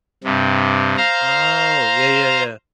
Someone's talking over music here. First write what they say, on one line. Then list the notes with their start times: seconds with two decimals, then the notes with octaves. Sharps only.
Oh, yeah, yeah, yeah.
0.24 G2 C3
0.97 C5 F5 A#5